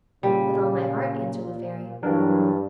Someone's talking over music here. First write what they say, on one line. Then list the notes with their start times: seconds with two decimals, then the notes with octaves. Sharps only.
"With all my heart," answered the Fairy.
0.23 A#2 C#3 G3
2.03 G2 E3 F#3 D4 A#4